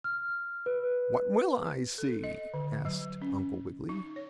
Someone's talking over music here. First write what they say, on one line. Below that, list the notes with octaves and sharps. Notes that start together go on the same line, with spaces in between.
"What will I see?" asked Uncle Wiggily.
F6
B4
A4
D#5
D3
F#3
C#4
D#4
C#5